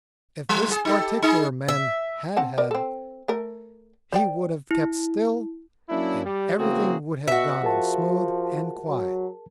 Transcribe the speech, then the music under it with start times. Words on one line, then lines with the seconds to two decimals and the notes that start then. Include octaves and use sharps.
If this particular man had had, he would have kept still, and everything would have gone on smooth and quiet.
0.49 G3
0.71 G#4
0.85 D#4 G4 A4
1.22 D#4 G#4
1.68 E5
2.37 C4 F#5 A5
2.58 A#4 D5
2.71 C4 A4
3.28 A3 A#4
4.12 C5 D5 G5
4.71 E4
5.90 F#3 A#3 C#4 D4 E4
6.25 G3
6.59 C#3 E3 A#3 C4 F#4 G#4
7.28 B2 F#4 E5
7.63 F3 G#4 A#4 A5
8.88 F#3